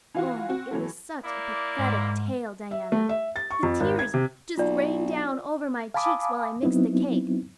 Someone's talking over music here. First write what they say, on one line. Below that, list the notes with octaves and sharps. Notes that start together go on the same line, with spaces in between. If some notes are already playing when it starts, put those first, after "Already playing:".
Oh, it was such a pathetic tale, Diana. The tears just rained down over my cheeks while I mixed the cake.
E3 F4 F#4
C4 F#4
E3 F#3 A3
A#3 E4 D5
G#2
E5
A3
E5
A6
C#6
F2
G#1
G#6
C3
B1 F4 D5
F5 G#5 A5 B5 D6 D#6
F#3 B3 C4 D#4 E4